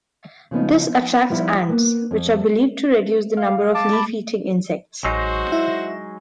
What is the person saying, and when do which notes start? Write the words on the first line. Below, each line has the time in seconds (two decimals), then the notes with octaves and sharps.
This attracts ants, which are believed to reduce the numbers of leaf-eating insects.
0.51 C#3 F3 B3 D#4
0.87 F3
1.30 F3 G3 B3 D#4 E4
1.69 A#3 B3
2.11 F2
3.37 F5
3.75 A5 D6
3.93 B5
5.04 A1 F#3 G#3 D#4 F#4 C5
5.52 E4 E5